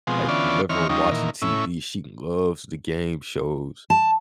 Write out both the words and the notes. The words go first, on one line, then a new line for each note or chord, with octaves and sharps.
Like, living room watching TV, she loves the game shows.
B2 F3 G#3 C4
D3 E3 B3 C#4 F4 D5
D#3 E3 C4 C#5 F6
D#2 F3 G3 C#4 D#4
A#2 D#3 E3
A2 C#4 E4
A5